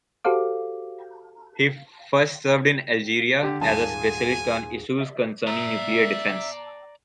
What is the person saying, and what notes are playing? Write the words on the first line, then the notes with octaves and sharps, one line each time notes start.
He first served in Algeria as a specialist on issues concerning nuclear defense.
F#4 G4 A4 C5 F5 D6
D3 G4
D#1 G#2 G#4 G#5 A5
D5 E5 A#5